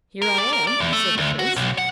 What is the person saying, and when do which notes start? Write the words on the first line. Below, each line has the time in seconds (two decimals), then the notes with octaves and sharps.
"Here I am," said the prince.
0.22 A#4
0.38 D5
0.53 A#4
0.67 D5
0.80 E2
0.93 A3
1.18 D2
1.39 F#4
1.56 B1
1.78 F#5